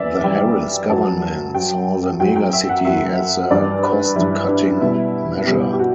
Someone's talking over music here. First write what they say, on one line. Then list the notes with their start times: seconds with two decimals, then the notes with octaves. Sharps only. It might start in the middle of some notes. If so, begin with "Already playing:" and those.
The Harris government saw the megacity as a cost-cutting measure.
Already playing: F#2 E3 D5 E5
0.24 F#2 E3 G3 G5
0.89 F#2 F#3 A5
1.54 F#2 F#3 G5
2.20 F#2 F#3 G5
2.36 G5
2.53 E5
2.69 F#5
2.85 F#2 F#3 E5
3.51 G2 E3 G3 D5
3.83 B4
4.16 G2 E3 G3 E4
4.48 D4
4.81 B2 G3 E4
5.46 B2 G3 G4
5.73 G4
5.79 F#4